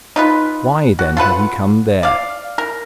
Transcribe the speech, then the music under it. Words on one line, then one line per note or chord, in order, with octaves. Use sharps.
Why, then, had he come there?
D#4 F4 B4
F#4
F4 A4 B4 F#5
D5 F5
A#4